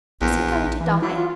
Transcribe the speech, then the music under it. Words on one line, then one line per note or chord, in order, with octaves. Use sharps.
"Is he going to die?"
A#1 E2
E3
F#3 E4
F4